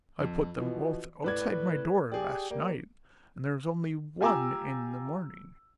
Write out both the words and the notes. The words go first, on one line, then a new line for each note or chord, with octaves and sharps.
I put them both outside my door last night, and there was only one in the morning.
F2
B2 E3 F3
A2 B4 D5 G#6
G4 G#4 D5
G3 A#3
F4 G4 G#5 A#5 D6 E6